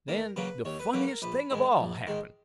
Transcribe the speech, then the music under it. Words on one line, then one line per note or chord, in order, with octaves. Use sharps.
Then the funniest thing of all happened.
D#2 A#4
C#3 F#3 A#3 B4
D#2 C#5
B4
C#3 F#3 A#3 B4
A#4
A#1 B4
G#2 D#3 G#3
A#1
G#2 D#3 G#3